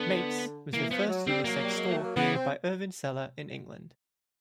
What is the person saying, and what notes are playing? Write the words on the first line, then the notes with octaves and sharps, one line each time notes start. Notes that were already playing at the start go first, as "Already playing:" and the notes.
'Mates' was the first unisex store created by Irvine Sellar in England.
Already playing: D3 B3
E3 A#3
F3 B3
F#3
G3 C4
F#3 A#3
G3
G#3
A3
A#3
E3 B3
C4